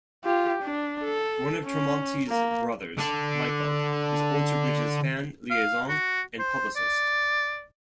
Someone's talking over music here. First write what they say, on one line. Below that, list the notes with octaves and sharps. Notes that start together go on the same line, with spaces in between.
One of Tremonti's brothers, Michael, is Alter Bridge's fan liaison and publicist.
F4 G4
D4
A4
C#4
A#3
D3 D4
F5
F#4
C5
D5